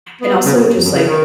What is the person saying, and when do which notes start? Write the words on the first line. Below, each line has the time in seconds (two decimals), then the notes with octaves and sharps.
And also just like,
0.21 B3
0.45 C#3
0.54 A#2
0.77 F2
0.83 F#2
0.92 C#3
1.07 D#3